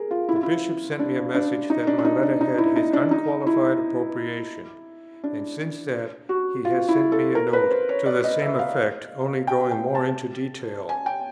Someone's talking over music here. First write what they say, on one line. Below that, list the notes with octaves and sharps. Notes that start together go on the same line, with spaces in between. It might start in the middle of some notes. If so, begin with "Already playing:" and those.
The Bishop sent me a message that my Letter had his unqualified approbation; and since that, he has sent me a note to the same effect, only going more into detail.
Already playing: G#4 A#4
F4
E4
F4
E4
D4
D4
D#4
D4
D4
D#4
D4
D#4
E4
D#4
D4
D#4
E4
D4
F#4
F4
E4
A4
A#4
B4
C5
C#5
D5
D#5
E5
F5
G5
G5
A5
G#5
G5